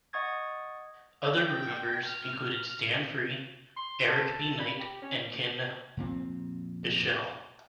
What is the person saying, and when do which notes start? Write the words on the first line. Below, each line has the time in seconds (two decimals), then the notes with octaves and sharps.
Other group members included Stan Free, Eric B. Knight, and Ken Bichel.
0.13 D#5 F#5 C#6 D#6 G#6 A6
1.37 G5
2.05 F6
3.77 C6
4.08 A4
4.60 B5
4.80 G4
5.02 C#4
5.97 F2 A#2 C4